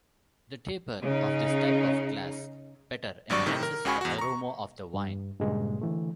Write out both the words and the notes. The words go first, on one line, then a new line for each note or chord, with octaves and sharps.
The taper of this type of glass better enhances the aroma of the wine.
C#3 D#4
G#1 G2 F#3 D5 C#6
A2 C3 D#3
A#4
C#2 C#3 F#4 G#5 B5 C#6
E2 F#4
A#5 C#6
G2
G2 A#2 C#3 G#3
D3 E3 A3